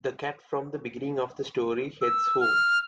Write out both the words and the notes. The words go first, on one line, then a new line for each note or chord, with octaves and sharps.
The cat from the beginning of the story heads home.
E6
F6